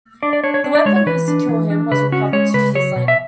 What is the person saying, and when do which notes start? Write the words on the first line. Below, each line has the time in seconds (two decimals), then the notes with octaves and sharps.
The weapon used to kill him was recovered two years later.
0.23 D4 D5
0.33 D5
0.44 D4 C#5
0.54 C#5
0.64 D4
0.75 D5
0.85 G#3 C#5
0.96 C#5
1.06 E3 B4
1.28 D4
1.49 E3
1.70 D4
1.91 C#3 B4
2.12 C#4 F#4
2.33 G#3 C#5
2.54 C#3 B4
2.75 F#3 C#5
2.96 B2
3.08 E5